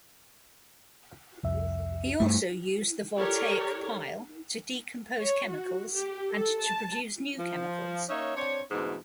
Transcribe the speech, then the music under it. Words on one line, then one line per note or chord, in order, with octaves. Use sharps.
He also used the voltaic pile to decompose chemicals and to produce new chemicals.
C2 F2 E5
G2 A3
G4 A4 A#4 C#5 D5
C#5
F#4
G4
A4
A5
F3
A#3 C#4 D#4 C#5 E5
C4 D4 C#5
D2 G#2 B2 E3